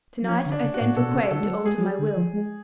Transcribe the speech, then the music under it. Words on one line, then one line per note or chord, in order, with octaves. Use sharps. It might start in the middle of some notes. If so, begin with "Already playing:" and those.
To-night I send for Quaid to alter my will.
F#3
F3 C#4
D3
D4
C#3
F#4
A2
B2 A4
B2
C#3
D3 A4
G#3
F#3
G#3 G#4
F3
F#3
D3
F3
G#3